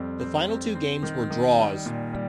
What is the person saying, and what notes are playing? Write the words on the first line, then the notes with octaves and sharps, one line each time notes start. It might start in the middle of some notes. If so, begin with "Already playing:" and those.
The final two games were draws.
Already playing: F2 G3 C4
C4
C4
C4
D#3
D#3
G3
A#2
G3